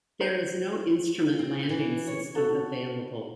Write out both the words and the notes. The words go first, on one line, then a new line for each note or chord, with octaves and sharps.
There is no instrument landing system available.
C5
C4
E3
C#5
F#4 A4